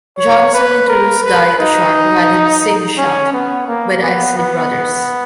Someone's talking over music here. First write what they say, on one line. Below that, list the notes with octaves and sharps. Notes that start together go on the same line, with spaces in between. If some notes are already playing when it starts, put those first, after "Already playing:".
Johnson introduced Guy to Sharp who had him sing "Shout" by the Isley Brothers.
C#5
B4
A#4
B4
D#4
C#4
B3
A#3
B3
B3